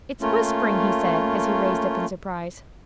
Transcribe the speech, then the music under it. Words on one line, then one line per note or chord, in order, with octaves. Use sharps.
"It's whispering!" he said, as he raised up in surprise.
A3 A#3 C#4 F4